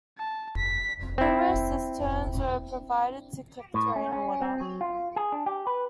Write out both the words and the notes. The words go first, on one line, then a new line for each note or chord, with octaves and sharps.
Numerous cisterns were provided to collect rain water.
A5
B6
C4 E4
A2
C#4
C#4
C4
F#3
F4
G#4
D4
G4
B4